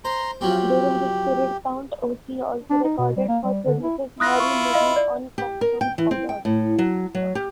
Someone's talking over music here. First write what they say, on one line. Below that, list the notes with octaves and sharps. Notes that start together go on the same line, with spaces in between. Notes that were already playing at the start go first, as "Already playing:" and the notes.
During this period Count Ossie also recorded for producers Harry Mudie and Coxsone Dodd.
C5 A#5 C6
F3 F#3 C4 G4
D4
D#4
B2
G3
A#3
G3
D3
E4
E4 F4 D#6 F#6 A#6
C#6
D#5 F5
D5
G4
A#4
G5
E3
C4
G5
A2
F#3
F#3
G4